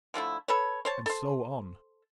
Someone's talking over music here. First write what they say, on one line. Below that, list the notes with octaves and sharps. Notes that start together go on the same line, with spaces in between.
And so on.
D3 F3 A3 E4
A4 B4 C#5
C5 C#5 A5
A4 C5